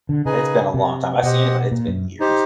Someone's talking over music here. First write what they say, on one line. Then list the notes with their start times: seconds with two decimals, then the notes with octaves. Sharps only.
It's been a long time. I've seen it, but it's been years.
0.09 D3
0.25 C#3 D#4 G#4 B4 D#5 G#5
0.74 C3
1.23 B2 G4 C5 D#5 F#5
1.72 A#2
1.88 F#2
2.20 D#4 G4 C5